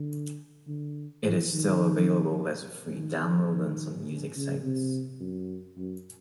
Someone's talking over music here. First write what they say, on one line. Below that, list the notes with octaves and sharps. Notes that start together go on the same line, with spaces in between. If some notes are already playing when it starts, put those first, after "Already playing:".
It is still available as a free download on some music sites.
Already playing: D3
D3
E3
D#3
D#3
D#3
D3
C#3
C3
F#2
F#2